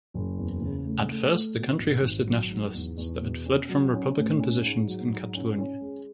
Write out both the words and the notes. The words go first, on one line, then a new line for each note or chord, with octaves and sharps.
At first the country hosted nationalists that had fled from republican positions in Catalunya.
F#1
E2
C#3
A3
A3
A3
B2
G#1
G#1
F#3
G#2
E2
E2
B2
C#4
F#3
C#4
A2
C#4
G#2
F#3
G#2
C#4
C#4
G#3